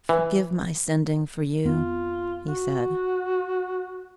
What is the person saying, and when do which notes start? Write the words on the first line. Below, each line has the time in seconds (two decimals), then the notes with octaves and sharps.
"Forgive my sending for you," he said.
0.09 E3
1.64 F2 B3 F4
2.48 F#4